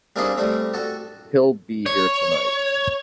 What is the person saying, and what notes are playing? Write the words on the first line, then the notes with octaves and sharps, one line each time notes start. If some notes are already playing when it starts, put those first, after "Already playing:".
He'll be here tonight.
G3 A#3 C4 D4 E4 G#4
G3 A3 C4
F#4 A4
C#5